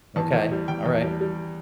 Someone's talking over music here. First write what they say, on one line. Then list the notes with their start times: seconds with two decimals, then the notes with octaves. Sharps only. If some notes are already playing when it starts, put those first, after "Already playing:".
Okay. Alright.
0.16 E2 A5
0.33 E2
0.52 G3
0.68 E2 G5
0.86 E2
1.03 G3
1.21 G3